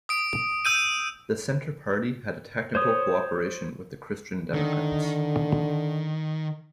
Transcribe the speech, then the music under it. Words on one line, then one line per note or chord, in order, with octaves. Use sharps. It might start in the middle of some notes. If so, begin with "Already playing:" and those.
The Centre Party had a technical cooperation with the Christian Democrats.
D#6 D7
E6 G6 D#7
C5 C#5 D#6
D3 D#3